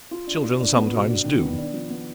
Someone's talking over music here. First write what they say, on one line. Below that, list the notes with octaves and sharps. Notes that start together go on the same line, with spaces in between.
Children sometimes do.'
F4
D4
F4
D4
B3
B2
D4
D#3
B3
D4
F3
B3